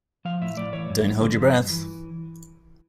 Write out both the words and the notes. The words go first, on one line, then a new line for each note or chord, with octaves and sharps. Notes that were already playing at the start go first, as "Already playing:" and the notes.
Don't hold your breath.
F3 F5
A2 E5
A2 D5
E3 C#5
G2
G2
D3
F3
G2
E3